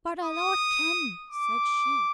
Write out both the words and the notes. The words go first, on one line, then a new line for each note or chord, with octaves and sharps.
"But OUR LORD can!" said she.
D#6
D6